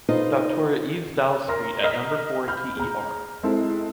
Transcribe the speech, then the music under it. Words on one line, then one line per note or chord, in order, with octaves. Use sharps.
Docteur Yves Dalle Street at number four TER.
D#4 F4 A4 B4 C5 D#5
A#4 C6 F6 A#6
D#5 A#5 F6 B6
B5 F6 G6
G#4 A#5
G#3 C4 E4 A4